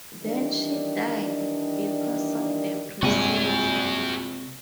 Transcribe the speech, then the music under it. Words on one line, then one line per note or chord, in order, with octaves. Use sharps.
Then she died because of the procedure.
D#3 E3 G3 D4
A#1 G2 C3 G#3 F#4 G#5